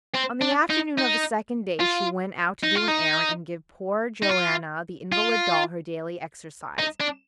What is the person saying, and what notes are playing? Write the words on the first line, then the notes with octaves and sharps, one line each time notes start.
On the afternoon of the second day, she went out to do an errand, and give poor Joanna, the invalid doll, her daily exercise.
C4
D4
D#4
D#4
F4
D#4
F4
D#4
D#4
F4
F4
D#4
D4